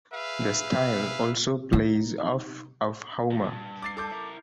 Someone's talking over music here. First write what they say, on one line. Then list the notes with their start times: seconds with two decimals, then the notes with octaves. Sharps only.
The style also plays off of Homer.
0.13 G#4 B4 E5 F5
1.73 D#4
3.31 E2
3.45 G2
3.82 D6 A6 C7
3.97 A4 D6 G6
4.12 E4 A#4